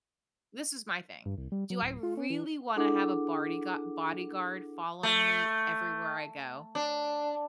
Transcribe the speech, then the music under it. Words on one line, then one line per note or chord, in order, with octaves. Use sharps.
This is my thing, do I really wanna have a bodygua- bodyguard following me everywhere I go?
G2
C2
G3
F#3
D1
F4
C#4
E3
D4 E4 G#4 A4 F#5 D6
A3
D4